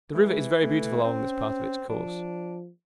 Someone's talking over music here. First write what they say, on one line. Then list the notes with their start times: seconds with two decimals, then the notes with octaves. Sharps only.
The river is very beautiful along this part of its course.
0.14 E3 G#3
0.62 A3
1.04 C4 C#4
1.90 F3 D4